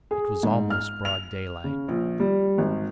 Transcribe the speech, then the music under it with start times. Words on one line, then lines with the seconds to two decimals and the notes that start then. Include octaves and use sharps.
It was almost broad daylight.
0.11 G#4
0.43 G#2
0.70 F6
1.05 F7
1.64 C#3
1.88 A#1
2.20 G3
2.58 G#1